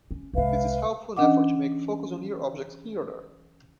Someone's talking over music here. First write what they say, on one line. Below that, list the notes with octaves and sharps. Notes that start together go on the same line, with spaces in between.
This is helpful in effort to make focus on near objects clearer.
C#4
C2 G#3 B4 E5 F5
E3 C#4 D4 D#5 F#5 D6